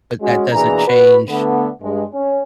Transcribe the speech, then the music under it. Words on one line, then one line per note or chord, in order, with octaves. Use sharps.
but that doesn't change,
G#3 C#4 F#4
B2 E3 A#3 D4 G#4 A#5
F#4 B4
D3 A3 B3
G2 G#3
C#4